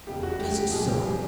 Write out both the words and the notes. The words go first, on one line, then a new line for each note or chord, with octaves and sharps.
Just so.
F1 E2 C#3 G4
F#4
G4
G4
B1 A#2 F3 G#3 G#4
G4
G#4